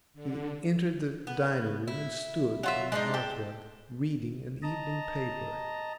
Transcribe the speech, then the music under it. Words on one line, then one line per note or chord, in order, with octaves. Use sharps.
He entered the dining-room and stood on the hearthrug reading an evening paper.
D3
B3
E4
F#3 F4 E5
G#3 D4 D#4
G4 A4
D#5 A5 A#5